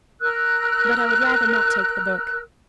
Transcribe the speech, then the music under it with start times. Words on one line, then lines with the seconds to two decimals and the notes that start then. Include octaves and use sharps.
But I would rather not take the book.
0.21 A#4 E6 F#6